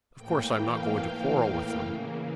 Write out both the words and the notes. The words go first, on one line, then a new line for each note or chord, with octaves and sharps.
Of course I am not going to quarrel with them.
A2 E3 A#3 G5
F5
G5
G5
C#3 E3 A#3